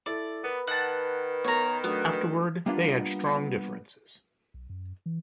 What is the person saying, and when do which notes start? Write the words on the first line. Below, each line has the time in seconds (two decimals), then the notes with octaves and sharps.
Afterward they had strong differences.
0.06 E4 A4 D5
0.44 B3 A#4 B4
0.67 D#3 F#5 A5
1.44 B3 A#4 C#5 A#5
1.84 F#3 A3 B3 D4
2.66 G3 A#3 B3 D4 F4
4.54 B1
4.69 F#2
5.06 E3